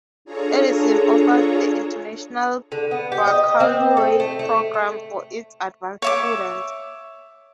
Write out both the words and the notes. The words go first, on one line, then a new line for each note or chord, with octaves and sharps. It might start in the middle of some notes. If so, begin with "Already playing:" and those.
Edison offers the International Baccalaureate program for its advanced students.
D4 F4 G#4 A4 C#5 A#5
D3
B3
G4
D#5
C4
A4
A3
A3
A3
C#5 E5 D6